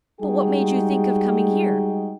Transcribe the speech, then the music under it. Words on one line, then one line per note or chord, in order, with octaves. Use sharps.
"But what made you think of coming here?"
G3 G#3 D#4 F#4 G#4 G5